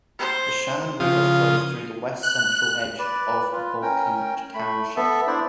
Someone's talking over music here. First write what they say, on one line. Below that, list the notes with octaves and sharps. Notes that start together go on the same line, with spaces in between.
The Shannon River flows through the west-central edge of Balkan Township.
C5
C#3 F3 F4 D#6
F#6
B4 D5
F4 B4
C#4 A#4 G5
A3 B5
B3 A4 E5
D4 E4 C5 D5